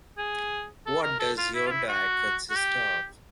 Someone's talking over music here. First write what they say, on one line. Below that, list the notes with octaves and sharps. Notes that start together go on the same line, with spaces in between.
What does your diet consist of?
G#4
A4
A#4
A4
F4
E4
F4
E4
F#4
F#4
G4